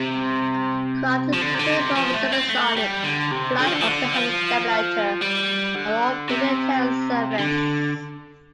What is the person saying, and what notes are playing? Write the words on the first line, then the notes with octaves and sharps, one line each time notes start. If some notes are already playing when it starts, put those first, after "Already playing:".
Craft capable of supersonic flight often have a stabilator, an all-moving tail surface.
Already playing: C3
F3
D3
C3
D3
C3
F3
A3
C4
A3
G3
D3
C3
D3
F3
D3
F3
D3
F3
G3
D3
C3
D3